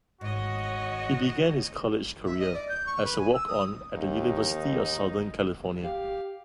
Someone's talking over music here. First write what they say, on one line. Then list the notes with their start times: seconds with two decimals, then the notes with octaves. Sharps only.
He began his college career as a walk-on at the University of Southern California.
0.21 G#2 D#3 F#4 C#5 D#5
2.25 E5
2.38 D#5
2.53 D5
2.68 G6
2.86 C#6
3.04 B4
3.18 G#5
3.33 E6
3.47 D#6
3.94 D#2 D#4
5.84 G4 F5